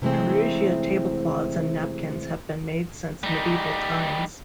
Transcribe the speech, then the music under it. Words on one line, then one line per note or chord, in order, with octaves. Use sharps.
Perugia tablecloths and napkins have been made since medieval times.
C3 E3 G#3 A3 C4
G3 D#4